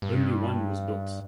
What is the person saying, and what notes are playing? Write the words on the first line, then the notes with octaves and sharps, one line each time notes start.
Only one was built.
G2